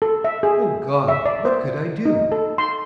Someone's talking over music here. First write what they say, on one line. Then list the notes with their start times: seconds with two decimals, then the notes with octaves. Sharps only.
Oh God! what could I do?
0.02 A4
0.24 E5
0.43 G#4
1.08 E5
1.26 D5
1.45 C5
2.05 D#4
2.32 A4
2.58 C6